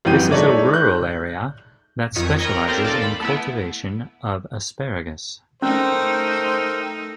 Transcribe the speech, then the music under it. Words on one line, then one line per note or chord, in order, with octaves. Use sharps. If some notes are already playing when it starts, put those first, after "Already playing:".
This is a rural area that specializes in cultivation of asparagus.
G#1 F#2 E3 G4 G6 D#7
G#3 D#4 A4 C#5 D5 E5
F#6 G6
F2 D#3 C#5 D#6 B6 C#7
A#4 C#5 D#5 G5 A#5 B5
C4 F4 G4 A4 A#4
D#2 F4 A4 D5
B5
A3 B3 E4
A3 C#4 D#4 A#4 C5 G5 E6